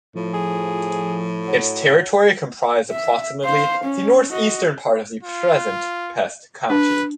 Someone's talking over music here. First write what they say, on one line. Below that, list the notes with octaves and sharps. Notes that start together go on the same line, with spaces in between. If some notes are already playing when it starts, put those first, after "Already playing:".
Its territory comprised approximately the north-eastern part of present Pest County.
A2 F3
G#4
F#3
E5
C5 F5
C#4
F#4 D#5
F4
D4 B4